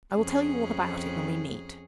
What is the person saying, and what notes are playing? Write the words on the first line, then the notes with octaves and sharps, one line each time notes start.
I will tell you all about it when we meet.
F2 C#4 G#4